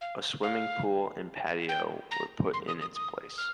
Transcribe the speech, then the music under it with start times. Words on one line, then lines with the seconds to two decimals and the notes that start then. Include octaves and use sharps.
A swimming pool and patio were put in its place.
0.01 F5
0.43 F5
1.69 G5
2.11 A#5
2.53 C6
2.67 D#6
2.81 D#6
2.95 D#6
3.38 F6